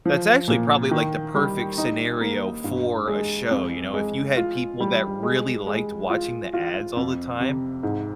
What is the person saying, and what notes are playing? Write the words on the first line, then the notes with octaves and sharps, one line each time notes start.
That's actually probably, like, the perfect scenario for a show, you know, if you had people that really liked watching the ads all the time?
F3
A#2
D#3
G3
D#4
A#3
G2
G#3
F2
G#3
F4
G3
G#3
G#3
F4
F4
F2
C3
G#2